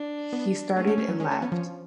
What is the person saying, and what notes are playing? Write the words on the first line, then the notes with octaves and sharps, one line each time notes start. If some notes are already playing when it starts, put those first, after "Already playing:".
He started, and laughed.
Already playing: D4
B3
A3 C#4
A3
A3
F#3
G#3 C#4
A3
B3
F3